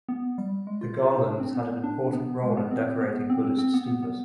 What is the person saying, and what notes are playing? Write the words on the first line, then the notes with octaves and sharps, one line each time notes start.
The garlands had an important role in decorating Buddhist stupas.
B3
G3
G#3
F4
F4
D#4
D4
C4
B3
D4
B3
G#3
B3
C4
B3
B3
C4
C4
C4
B3
B3
B3